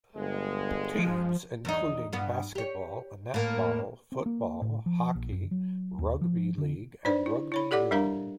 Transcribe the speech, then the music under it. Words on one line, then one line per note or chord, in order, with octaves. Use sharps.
Teams include: Basketball, Netball, Football, Hockey, Rugby League and Rugby Union.
G1 G#3
F3
E2 D#4
G2 B3
G4 C#5
A2 A#3
C4
A#3
A2
F3
A#1
F#2
F#3
D#2
F3
D3
D4 D#4 B4 C5 D5
E4
E4 C#5 B5
G4 A4 D5 F#5 D6
G3 D4 A#4 F5 A#5